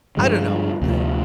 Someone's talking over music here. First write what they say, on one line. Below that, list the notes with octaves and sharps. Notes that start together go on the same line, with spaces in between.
I don't know, eh,
G2 D3 F3 G#3
D2 C3 F3